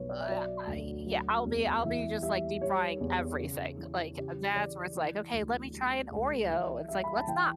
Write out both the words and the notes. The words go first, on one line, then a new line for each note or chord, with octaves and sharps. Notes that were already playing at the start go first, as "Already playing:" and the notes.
I I Yeah, I I'll be I'll be just like deep-frying everything, like, that's where it's, like, "Okay, let me try an Oreo," it's, like, "Let's not."
Already playing: B1 G3 B4 C#5
D5
E5
F#3 D5
D2
F#3
E2
E3 E5
G3 E5
G3 C#5
E2
C#3
E3
C#3 G4
E3 D5
E3
D2
G3
C#2
E3 E5
G3 E5
B5
A5
E3 G5